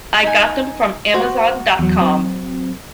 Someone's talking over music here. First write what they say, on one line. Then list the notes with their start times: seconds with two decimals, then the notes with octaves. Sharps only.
I got them from Amazon dot com.
0.23 D#4 G#5
1.14 F#4 C5
1.79 E2 F#3
2.00 F#3 C4